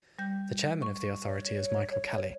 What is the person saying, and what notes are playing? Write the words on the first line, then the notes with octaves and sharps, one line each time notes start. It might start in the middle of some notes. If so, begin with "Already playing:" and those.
The Chairman of the Authority is Michael Kelly.
G3 G6
C#6
C#5